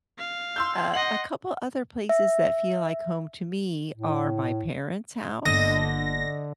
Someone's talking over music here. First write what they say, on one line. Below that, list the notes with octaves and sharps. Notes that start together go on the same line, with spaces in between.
a a couple other places that feel like home to me are my parents' house,
F5
C6 E6 G6
D#5 F#5 C6 F#7
E5
A2
G1 D3 A#3 D#5 A#6